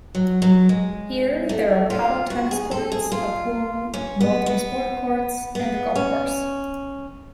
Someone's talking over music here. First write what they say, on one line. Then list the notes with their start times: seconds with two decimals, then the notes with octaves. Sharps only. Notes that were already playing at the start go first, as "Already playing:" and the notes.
Here, there are paddle tennis courts, a pool, multi-sport courts, and a golf course.
0.15 F#3
0.42 F#3
0.69 G#3
1.49 A3
1.90 F4
2.30 F#4
2.51 G#4
2.71 A4
2.92 G#4
3.12 F4
3.94 C#4
4.21 B3
4.46 B3
5.55 B3
5.95 C#4